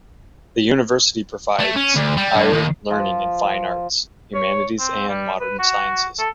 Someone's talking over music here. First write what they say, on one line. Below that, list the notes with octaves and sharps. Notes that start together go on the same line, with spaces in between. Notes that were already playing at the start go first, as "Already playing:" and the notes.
The university provides higher learning in fine arts, humanities and modern sciences.
A3
C#4
D2
G3
G2
D#2
F3
C#5
C4
G3
B4
F#4
A4